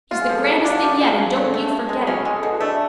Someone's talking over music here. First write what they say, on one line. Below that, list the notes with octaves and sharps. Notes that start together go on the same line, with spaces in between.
He's the grandest thing yet and don't you forget it.
F4 F#4
G#4
F3 A4
G#4
C#3 F#4
F4
D4
F#4
F3 F4
F#4
F3 G#4
F#4
C#3
C#3 A4
A3
A3
G#3 G#4
C#4 F#4
G#3 G#4
A4
B2 G#4
F#4
A3 D4